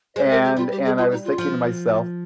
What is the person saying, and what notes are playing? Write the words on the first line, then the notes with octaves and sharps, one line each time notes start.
And and, I was thinking to myself,
G#3 C5
A#4
G4
G3 F4
G4
G#4
F4
D#4
F4
F3